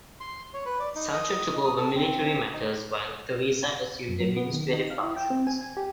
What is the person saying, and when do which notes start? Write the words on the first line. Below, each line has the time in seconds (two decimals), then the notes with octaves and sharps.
Sancho took over military matters, while Theresa assumed administrative functions.
0.20 C6
0.54 C#5
0.65 B4
0.80 D5
0.95 D#4
1.13 D#5
1.64 D#6
1.77 A4
1.95 C4
2.53 D#4
4.09 F#2
4.20 F#3
4.37 B3
4.53 D#3
4.73 D#4
4.90 F5
5.03 E4
5.16 G5
5.30 C4
5.47 G#5
5.61 G#5
5.77 G4